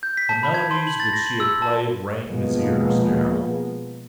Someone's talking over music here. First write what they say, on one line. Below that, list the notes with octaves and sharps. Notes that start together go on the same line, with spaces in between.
The melodies which she had played rang in his ears now.
G6
B6
A5
B5
G#6
C6
F#7
A6
A#6
F#7
E6
A5
B2 F3 G#3 A#3 B3